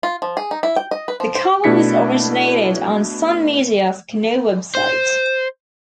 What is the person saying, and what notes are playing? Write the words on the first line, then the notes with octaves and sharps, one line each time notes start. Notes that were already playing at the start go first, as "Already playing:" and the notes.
The column was originated on Sun Media's Canoe website.
F4
F3
G#4
D#4
E4
G5
D#5
B4
F3
C5
B2 A3 D4 E4 B6 C#7
C5